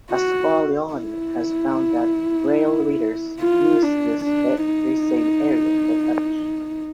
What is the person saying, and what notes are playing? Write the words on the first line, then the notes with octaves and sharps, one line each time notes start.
Pascual-Leone has found that Braille readers use this very same area for touch.
F#4
E4
F4
D4
D4
D#4